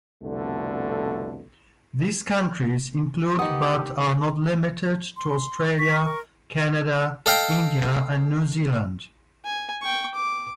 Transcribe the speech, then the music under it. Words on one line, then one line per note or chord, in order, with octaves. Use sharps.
These countries include but are not limited to Australia, Canada, India, and New Zealand.
C2 F2 B2 D3 A3
D2 D#3 B3 D#4 G4 F#5 D#6
C6
C#6 B6
A#4
A4 D#5 F5 G5
G#5
G5 C#6
D6